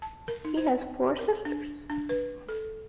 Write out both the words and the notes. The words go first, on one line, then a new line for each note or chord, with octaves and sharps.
He has four sisters.
A5
A#4
D#4
C5
A#4
D4
D4
B4
A4